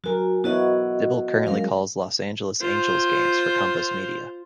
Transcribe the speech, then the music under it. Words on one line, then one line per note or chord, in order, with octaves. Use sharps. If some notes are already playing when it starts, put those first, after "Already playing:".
Dibble currently calls Los Angeles Angels games for Compass Media.
F#3 F#4 A#4 G#5
B3 E4 F#4 C#5 D#5 F#5
F#3 G#3 C#4 A#4 F5
F4 C5